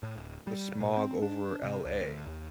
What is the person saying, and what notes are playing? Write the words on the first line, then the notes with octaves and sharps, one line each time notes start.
the smog over LA.
A2
D1
G3
A#2
C4
D4
C3
C#2
D2
D#2